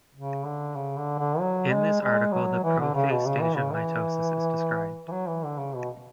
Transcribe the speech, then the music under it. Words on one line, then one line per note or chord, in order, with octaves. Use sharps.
In this article the prophase stage of mitosis is described.
C#3
D3
C#3
D3
D3
F#3
G#3
G#3
F#3
E3
D3
C#3
B2
C#3
E3
C#3
E3
E3
F#3
E3
D3
C#3
B2